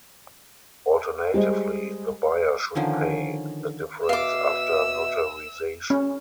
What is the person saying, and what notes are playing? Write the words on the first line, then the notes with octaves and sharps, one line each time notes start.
Alternatively, the buyer should pay the difference after notarization.
G3 G#3 C5 D#5
D3 D#3 F3 C#4
B2 E5 F5 D6 E6
C#4